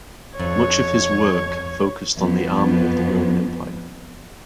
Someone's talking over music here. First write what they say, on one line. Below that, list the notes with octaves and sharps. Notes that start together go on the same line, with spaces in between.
Much of his work focused on the Army of the Roman Empire.
F2 C#5
F2 B3